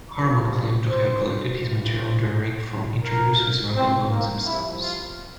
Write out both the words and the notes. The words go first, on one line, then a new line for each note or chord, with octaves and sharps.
Harman claimed to have collected his material direct from interviews with vagabonds themselves.
G1 G2 F3 A#4
C5
G1 G2 E3
C5
D2 D3 F3 A#4
C4
A#3
C2 C3 F3 E4
F4